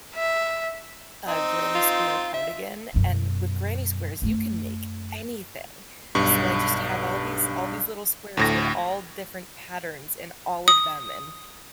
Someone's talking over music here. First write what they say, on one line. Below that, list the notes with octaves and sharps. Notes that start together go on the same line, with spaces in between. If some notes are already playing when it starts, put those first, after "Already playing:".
a granny square cardigan, and with granny squares, you can make anything, so I just have all these all these little squares with all different patterns in all of them and
E5
C4 D#4
F4
E5
F#2 B2
F#2 A3
B1 G2 C#6
D2 A2 A#6
D#6